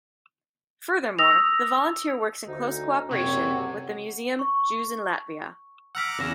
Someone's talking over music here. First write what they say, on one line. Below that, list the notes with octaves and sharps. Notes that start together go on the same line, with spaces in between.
Furthermore, the volunteer works in close cooperation with the Museum "Jews in Latvia".
C#6 D#6 E6 A#6 F7
D2 D#4
F#1 C3 C#5 F#5
C#6
F#5 A#5 D6 E6 F6 B6
E2 C#3 G#4 A#6 E7